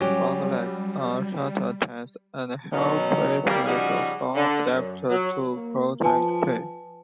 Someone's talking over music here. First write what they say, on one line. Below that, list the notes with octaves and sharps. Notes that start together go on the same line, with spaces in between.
The front legs are shortest and have preapical claws adapted to puncture prey.
F#3 G3 C#4 G4
B2 D#3 F#3 C#4 D#4
G3 A#3
C#3 F3 G3 D#4 F#4 G#4
D3
F#2
F#3
A#3
F3 B4 G#5 A5